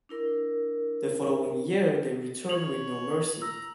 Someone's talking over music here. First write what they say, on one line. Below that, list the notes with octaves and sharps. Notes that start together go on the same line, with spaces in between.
The following year they returned with No Mercy.
D4 E4 A#4
C#5 F7 F#7
A#5 E6